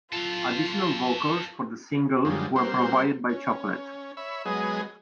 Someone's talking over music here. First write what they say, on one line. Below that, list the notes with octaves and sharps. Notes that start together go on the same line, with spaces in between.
Additional vocals for the single were provided by Chocolette.
F4 A4 F5
F#2 D3 D#3 F3 G3 G#3
G3 A#3 C4 F#4 C5
C#4
C#5 E5 B5
F#3 G#3 B3 G#4 D#5